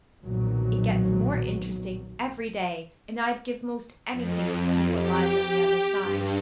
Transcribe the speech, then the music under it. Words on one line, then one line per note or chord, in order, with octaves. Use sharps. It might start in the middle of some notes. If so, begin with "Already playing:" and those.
It gets more interesting every day, and I'd give most anything to see what lies on the other side.
B1 F2 A#2 D#3 F#3
F2
G4
G2